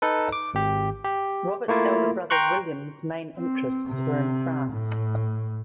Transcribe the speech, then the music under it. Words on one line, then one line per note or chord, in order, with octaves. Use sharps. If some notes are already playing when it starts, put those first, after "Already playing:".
Robert's elder brother William's main interests were in France.
D#4 A4 B4
D6
G#1 G4
G4
A3 A#3 E4 F4
G5 A#5 C6 C#6 F#6
C4
C3
A2